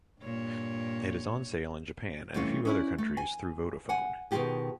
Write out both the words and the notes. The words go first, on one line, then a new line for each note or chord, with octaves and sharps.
It is on sale in Japan and a few other countries through Vodafone.
G2 A#2 C#5
C3 E3 G3 A3 C#4 F4
C#4 D4 E4
A3
G#5
F#5 G#5
B2 D#3 G#3 F4 G4 G#4